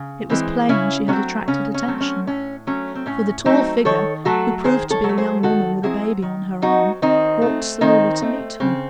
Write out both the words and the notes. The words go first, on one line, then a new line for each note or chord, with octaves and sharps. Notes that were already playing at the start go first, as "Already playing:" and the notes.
It was plain she had attracted attention; for the tall figure, who proved to be a young woman with a baby on her arm, walked slowly to meet her.
Already playing: C#3
E3 G#3 C4
C#3 C#4 E4
F#3 A3 C4 C#4
C#3 C#4
C#4
F#3 A3 C4
C#4
A2 C#4
F#3 A3 C#4
C4
A2 C#4
F#3 A3 C4 D#4
D#3 A4 C#5
F#3 A3 F#4 A4
D#3 G#4 C5
A4 C#5
F#3
A3
G#4 C5
D#3 F#4 A4
F#3 C4 E4 G#4
D#3
F#3 C4 D#4 F#4
D#3 C4 D#4
A3 C4
D#3 C4 D#4
A3 C4
C#3 C4